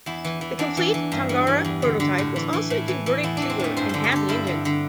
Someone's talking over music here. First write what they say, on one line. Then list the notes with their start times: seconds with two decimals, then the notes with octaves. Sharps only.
The complete Tangara prototype was also a converted Cougar and had the engines.
0.06 E2 E4
0.25 E3
0.41 E3
0.59 E2 D4
0.77 E3
0.94 E3
1.12 G2
1.29 E3
1.47 E3
1.65 E2
1.82 D3
2.00 D3
2.18 A2
2.36 E3
2.53 E3
2.70 A2 E4
2.88 E3
3.06 E3
3.23 E2 E4
3.37 E3 D4
3.50 C4
3.59 E3 A3
3.77 G2 C5
3.89 D3 A4
4.04 G4
4.12 D3 A4
4.29 G2 E4
4.47 D3
4.65 D3